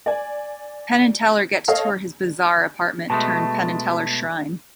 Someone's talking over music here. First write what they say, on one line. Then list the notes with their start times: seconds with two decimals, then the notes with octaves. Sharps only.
Penn and Teller get to tour his bizarre apartment turned Penn and Teller shrine.
0.06 D5 G#5
1.68 A4 C#5 D#5 F5
3.10 B2 G#3 A3 A5